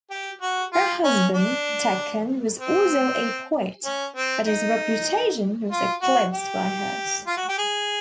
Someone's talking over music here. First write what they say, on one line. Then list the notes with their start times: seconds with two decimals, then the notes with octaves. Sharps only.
Her husband Tekkan was also a poet, but his reputation was eclipsed by hers.
0.11 G4
0.41 F#4
0.73 F4
1.04 C#4
1.34 D4
2.60 C4
3.85 C#4
4.16 C4
4.47 D#4
5.72 F4
6.02 F#4
6.33 G4
7.27 F4
7.37 F#4
7.49 G4
7.58 G#4